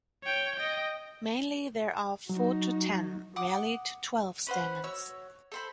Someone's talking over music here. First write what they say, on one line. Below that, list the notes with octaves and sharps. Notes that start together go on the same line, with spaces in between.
Mainly there are four to ten, rarely to twelve stamens.
C#5 G5
D#5 G5
F#3 D#4 F#4
F#5 D6 D#6
C#4 B4 C5 F#5
F#4 C#5 E6
A4 C5 B5